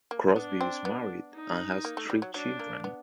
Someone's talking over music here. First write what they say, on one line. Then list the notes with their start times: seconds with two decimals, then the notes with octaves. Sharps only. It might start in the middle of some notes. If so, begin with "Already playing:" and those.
Crosbie is married and has three children.
0.11 A#3
0.36 B3 D4
0.61 C4
0.85 B3
1.36 D#4
1.85 A#3
1.97 A3
2.10 G3
2.22 F#3
2.34 F#3 D4
2.59 A#3
2.84 B3